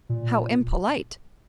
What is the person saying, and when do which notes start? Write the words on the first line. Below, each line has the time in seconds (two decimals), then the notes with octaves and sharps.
"How impolite."
0.09 A#2